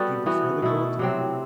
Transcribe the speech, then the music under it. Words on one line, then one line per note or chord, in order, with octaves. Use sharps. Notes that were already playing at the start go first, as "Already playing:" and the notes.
Do you prefer the cold?
Already playing: G3 B3 F#4 A4
E3 B3 F#4
B2 A3 E4
C3 F#3 C4